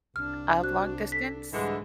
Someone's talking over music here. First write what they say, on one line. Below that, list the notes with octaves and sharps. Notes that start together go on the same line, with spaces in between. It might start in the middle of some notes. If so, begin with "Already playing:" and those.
of long distance,
C2 D4 F6
F#4 C5 F#6
A4 B6
G#2 D3 E3 G3 G#3